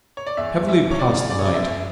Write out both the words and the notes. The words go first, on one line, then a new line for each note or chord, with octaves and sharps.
Heavily passed the night.
C#5
D5
E2 E5
E2
E5
E3
C#5
D5
C#3
C#3 D5
C#5
D5
F#2 E5